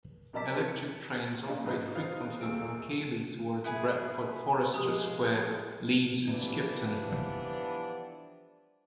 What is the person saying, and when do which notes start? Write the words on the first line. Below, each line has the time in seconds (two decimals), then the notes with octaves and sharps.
Electric trains operate frequently from Keighley towards Bradford Forster Square, Leeds and Skipton.
0.33 B1 C3 A#4 D5 A5 B6
0.68 C#7
1.47 C#3 A#3 C#4 D4
1.64 G#2 D#4 B4
1.95 C4 D#4 F4 B4 F5
2.41 D#2 A3 A#3 G#4 E6 D7
3.64 B3 E4 G#4
4.74 F3 G#3 G4 D#6
6.29 E3 F3 G3 B3 D4